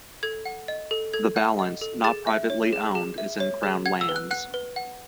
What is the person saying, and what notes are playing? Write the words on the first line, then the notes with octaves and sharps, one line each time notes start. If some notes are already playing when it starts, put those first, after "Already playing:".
The balance, not privately owned is in Crown Lands.
A4 G#6
F#5
D#5
A4
A4 G#6
F#5
D#5
A4
G#4 A6
E5
C#5
G#4
G#4
E5
C#5
G#4
F#5 G#6
E6
B4
F#6
F#5 F#6
B4
F#5